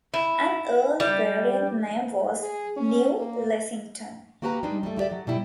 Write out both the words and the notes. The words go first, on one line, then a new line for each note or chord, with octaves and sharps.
An early variant name was New Lexington.
E4
G3
G#4
C#4
A#3
A#3 F#4 G4 B4 A5 A#5
G3 G#3 D4 D#4
G3 A3
E4 G4 D5 E5
F#3
B2 G3 E4 G5